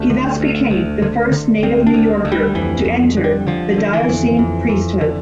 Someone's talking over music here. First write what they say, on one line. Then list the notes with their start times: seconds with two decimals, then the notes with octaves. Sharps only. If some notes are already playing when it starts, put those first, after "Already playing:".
He thus became the first native New Yorker to enter the diocesan priesthood.
Already playing: D2 A3
0.10 D3
0.40 D2
0.71 D2
1.02 D3
1.32 D3
1.63 D2 C4
1.87 D4
1.94 D2
2.25 D2
2.32 G3
2.55 F2 E3
2.85 F2
3.17 D3
3.24 G3
3.47 D3 F3
3.78 D3
3.93 E3
4.09 F2
4.39 F2
4.69 F2
5.01 D3